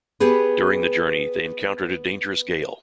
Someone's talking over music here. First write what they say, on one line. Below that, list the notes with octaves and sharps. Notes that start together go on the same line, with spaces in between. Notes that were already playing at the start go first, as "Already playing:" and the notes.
During the journey, they encountered a dangerous gale.
B3 G4 G#4 B4